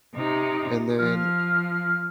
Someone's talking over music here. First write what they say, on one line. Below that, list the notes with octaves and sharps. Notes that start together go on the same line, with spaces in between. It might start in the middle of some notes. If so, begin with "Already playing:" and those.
and then
C3 D#4
F3 F6